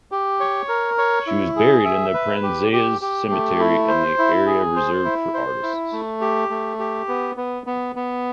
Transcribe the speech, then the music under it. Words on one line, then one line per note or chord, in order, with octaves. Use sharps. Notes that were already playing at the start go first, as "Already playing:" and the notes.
She was buried in the Prazeres Cemetery in the area reserved for artists.
G4
C#5
A#4
C#5
E4
G#4
E5
B4
G4
G4
G4
A3
E4
C5
E4
G#4
C5
E4
C5
E4
A3
G4
A3
G4
B3
B3
B3
B3